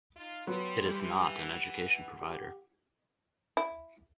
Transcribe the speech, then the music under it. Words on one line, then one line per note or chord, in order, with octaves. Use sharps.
It is not an education provider.
D#4 F4
F#3 G3 B3 C6
E3 G3
F#5
G4
E4